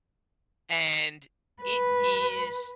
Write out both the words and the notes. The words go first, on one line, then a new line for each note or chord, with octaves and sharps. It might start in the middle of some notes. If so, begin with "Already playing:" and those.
and it is
B4